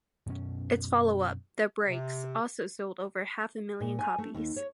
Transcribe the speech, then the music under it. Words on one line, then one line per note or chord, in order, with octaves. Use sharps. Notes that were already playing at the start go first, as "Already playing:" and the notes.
Its follow-up, "The Breaks", also sold over half a million copies.
F#2 B2 C#4
C3
A#2
G#5
A3
D#2
C#5